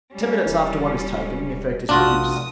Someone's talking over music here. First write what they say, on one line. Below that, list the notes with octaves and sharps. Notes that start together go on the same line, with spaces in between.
Ten minutes after one is taken, the effect is produced.
G3 C#4
D#1 E3 A#4
C#2
F1 A#1 D4 F4 F#4 D#6